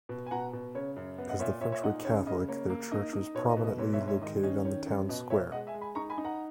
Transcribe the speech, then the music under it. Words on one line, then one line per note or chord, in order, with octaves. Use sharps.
As the French were Catholic, their church was prominently located on the town square.
B2
G#5
B2 F#5 A#5
B2
C#3 C#5
F#2
B3
D#5 F#5
A#2 C#5 E5
A#2 C#5 E5
C#5 E5
D#4 D#5 F#5
C#3 C#5
C#3 D#5
A#3 C#5
A#3
D#4 D#5
D#4
B2 C#5
D#5
B2
D#5
G#2 C#5
C#5 E5
G#2
C#5 E5
D#3 D#5
C#4 D#5
D#3 C#5
F#2
B2 D#5
B2 C#5 E5
G#3 D#5 F#5
E5 G#5
G#3
G#5 B5
D#4 A#5 C#6
G#5 B5
D#4
F#5 A#5